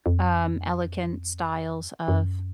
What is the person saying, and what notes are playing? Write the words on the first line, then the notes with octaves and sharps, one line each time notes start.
um, elegant styles of
F2
F#2